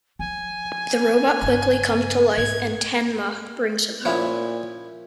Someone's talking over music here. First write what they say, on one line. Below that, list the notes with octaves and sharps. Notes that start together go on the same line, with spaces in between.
The robot quickly comes to life, and Tenma brings him home.
F3 G#5
G2 C#3
G#2 G#6
A#2 F3 C#4 E4